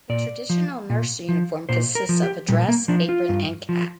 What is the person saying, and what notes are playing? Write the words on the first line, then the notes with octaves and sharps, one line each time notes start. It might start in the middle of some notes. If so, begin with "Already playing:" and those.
The traditional nurse uniform consists of a dress, apron and cap.
A#2 D5
F3
A#2
F3
A#2 C5
A#4
F3
G4
A#2 G3
A#3
F3 D4
F4
G2
F3